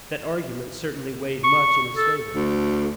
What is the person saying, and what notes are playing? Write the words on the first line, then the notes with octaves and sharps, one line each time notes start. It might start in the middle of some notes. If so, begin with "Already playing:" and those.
That argument certainly weighed much in his favor.
C#6
A4
D2